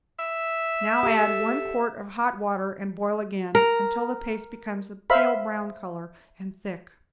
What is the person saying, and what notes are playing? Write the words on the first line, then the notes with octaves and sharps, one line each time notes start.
Now add one quart of hot water and, boil again, until the paste becomes a pale brown color, and thick.
E5
G4 A4
A#4
C5 E5 F5 B5